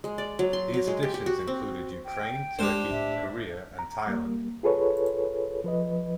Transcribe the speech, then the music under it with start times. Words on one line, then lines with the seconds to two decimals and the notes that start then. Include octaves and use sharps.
These editions included Ukraine, Turkey, Korea and Thailand.
0.04 G#3
0.18 D5
0.39 F#3
0.53 C6
0.74 F#3
0.87 G#3
1.03 G4
1.14 G4
1.26 F#4
1.47 C4
2.05 G5
2.59 G#3 D4 D#4 G4 C5
2.91 A2 E5
3.79 A#5
4.07 G3 A#3
4.63 F4 G#4 A4 B4 C#5
5.64 F3 B4 D#5